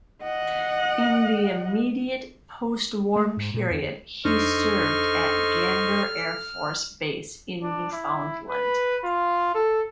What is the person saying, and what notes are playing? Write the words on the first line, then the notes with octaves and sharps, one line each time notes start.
In the immediate postwar period, he served at Gander Air Force Base in Newfoundland.
D#5 F#5
A3
G#2
A#2
E2
F2 D4 D#4 A4 C5 D#5 C#6 F6
D4
E4
B4
F4
A4